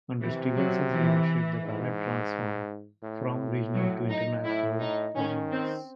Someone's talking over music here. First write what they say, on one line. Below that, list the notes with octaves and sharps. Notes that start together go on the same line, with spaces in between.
Under Stevenson's leadership, the ballet transformed "from regional to international prominence".
C3 E3
F#3
E3
G#2
A2
F#3
D#4
A2 E4
D#4
D#3 C#4
C4